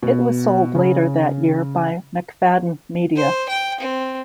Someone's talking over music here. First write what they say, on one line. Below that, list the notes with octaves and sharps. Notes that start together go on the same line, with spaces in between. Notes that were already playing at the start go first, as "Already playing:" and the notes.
It was sold later that year by Macfadden Media.
B2
C#3
C5
G5
C4